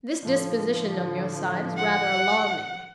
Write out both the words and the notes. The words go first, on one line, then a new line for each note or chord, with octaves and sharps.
This disposition on your side is rather alarming.
A2 D3 F3
F#5